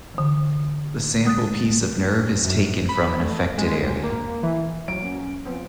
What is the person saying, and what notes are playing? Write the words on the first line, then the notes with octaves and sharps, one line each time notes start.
The sample piece of nerve is taken from an affected area.
D3 E3
G#3 D#6 F#6 A6
F#2
B5
A3
G#3
D#2
A#3
E3
F#3 F#4 D7
A#3 C#4
F3 B3 C4